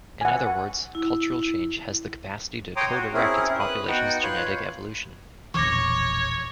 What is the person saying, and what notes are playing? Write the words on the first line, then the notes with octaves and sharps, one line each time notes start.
In other words, cultural change has the capacity to codirect its population's genetic evolution.
F#5 G#5
E4
C#5 G5 A#5 C6 D6 D#6
F#4
C4 C#4 E4 G#4 A#4
B4 D#6 F#6
B3 D#4 F#4 F#5 G5
F4 B4 C#5 C6 F#6 G6
E1 A#1 E3 C#5 C#6 D6 A#6